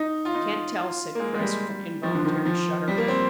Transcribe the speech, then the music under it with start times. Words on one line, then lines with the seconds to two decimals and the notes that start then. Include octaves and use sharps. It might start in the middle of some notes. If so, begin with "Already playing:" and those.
"Can't tell," said Chris, with an involuntary shudder.
Already playing: D#4
0.25 F4
0.34 D#4
0.77 F4
1.15 A#3
1.20 G#3
1.34 G#3
1.40 G3
2.03 F3
2.15 D3
2.25 D#3
2.46 F3
2.88 G3
2.98 A#3
3.08 C4